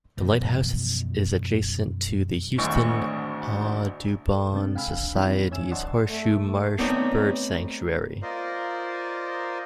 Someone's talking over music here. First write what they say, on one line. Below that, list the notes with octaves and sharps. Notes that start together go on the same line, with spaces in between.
The lighthouse is adjacent to the Houston Audubon Society's Horseshoe Marsh Bird Sanctuary.
F#2 B2 E3 F3
G#1 D2 A2 C#6
A4
C3 G#3 C4 D4
F5 G5 G#5 B5 E6 F6
E3 F#3 G#3 C4 D4 E4
F#2 C#5 E5 G#5 E6 E7
D5 D#5 F#5 A5 C6 C#6
A3
A3 B3 C4 D#4 C#5 D5
F4 A#4 C5 D5 D#5